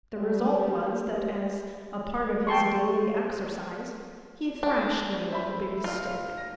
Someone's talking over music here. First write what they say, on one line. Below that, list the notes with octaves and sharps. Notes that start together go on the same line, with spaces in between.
The result was that, as a part of his daily exercise, he thrashed me with a big stick.
G3
G5 A5 C6 C#6
D4
C5 E5 B5
F4 F6
A#6